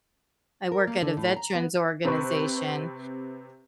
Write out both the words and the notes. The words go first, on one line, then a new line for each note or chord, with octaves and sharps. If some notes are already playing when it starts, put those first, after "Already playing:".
work at a veterans organization,
A#4
A#3
D3
A2
A#5
B3
C3 C4 B4 C#6